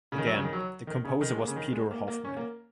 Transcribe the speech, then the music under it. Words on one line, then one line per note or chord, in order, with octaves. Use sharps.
Again, the composer was Peter Hoffmann.
C#3
D#3
F#3
C#3
D#3
F#3
D#3
C#3
D#3
G#3
A#3
C#3
D#3
G#3
A#3
A#3
C#4
A#3